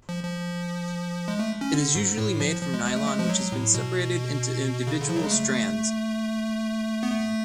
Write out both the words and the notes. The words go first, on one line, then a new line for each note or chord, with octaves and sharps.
It is usually made from nylon which has been separated into individual strands.
F3
F3
G#3
A3
C#4
D3
G#2
A2
F3
F3
G#3
G#3
A3
G#3
F3
F#3
A2
B2
C#3
D3
F3
F#3
G#3
A3
B3
A3